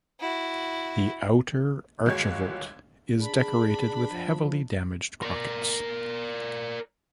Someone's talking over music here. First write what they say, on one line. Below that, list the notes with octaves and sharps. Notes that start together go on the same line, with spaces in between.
The outer archivolt is decorated with heavily damaged crockets.
E4 F#4
G1 D#2 G#3 F#4 C#5 G#6
D4 G#4 B5
F3
A#4 D5